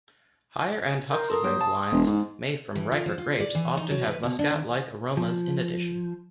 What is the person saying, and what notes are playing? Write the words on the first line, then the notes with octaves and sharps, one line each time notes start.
Higher-end Huxelrebe wines made from riper grapes often have muscat-like aromas in addition.
A#4 C6 G6
A4 A#4 C6 D#6
F#3 A#3 G4
A5
E1
G#2
E3
F4
F3
F4
D5
E3
D#4
F#3
B4
B2
D4
D#3
F3